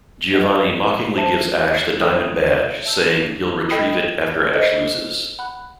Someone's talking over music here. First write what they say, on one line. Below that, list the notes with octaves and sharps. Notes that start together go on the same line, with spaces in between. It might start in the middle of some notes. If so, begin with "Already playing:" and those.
Giovanni mockingly gives Ash the Diamond Badge, saying he'll retrieve it after Ash loses.
B4 D#5 F#5
C5 E5 A5
A4 C5 E5 G5 D#6
E5 A5 E6 G6
A4 D#5 G5 B5 D#6
A4 C5 D#5
F#5 B5 F#6